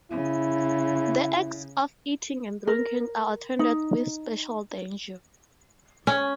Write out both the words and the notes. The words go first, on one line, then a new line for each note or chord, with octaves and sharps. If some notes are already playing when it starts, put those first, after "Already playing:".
The acts of eating and drinking are attended with special danger.
C#3 E4
A#4
D#4
C#4